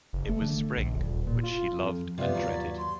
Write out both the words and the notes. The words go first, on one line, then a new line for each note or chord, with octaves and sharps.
It was spring, which she loved and dreaded.
F#1
A3
D3
A#1
D#1
A#2
F4
F2
G2 C3 B3 F4 D5 F5
D#2 F#3 B4
C6